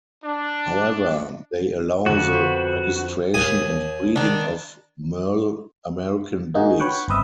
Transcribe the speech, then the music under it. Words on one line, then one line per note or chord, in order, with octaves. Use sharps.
However, they allow the registration and breeding of merle American Bullies.
D4
F2 D3 F#4
C4 B4 C5
D#2 G#5 D#6
D#3 D4
A#3 D#4 F#4 G#4
B4 C#5 F#5 G5
G1 C4 B4 D#5 E5